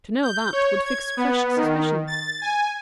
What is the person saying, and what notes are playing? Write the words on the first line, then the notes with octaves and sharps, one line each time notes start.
To know that would fix fresh suspicion.
G6
C#5
G#6
B3
D#3
A6
G#5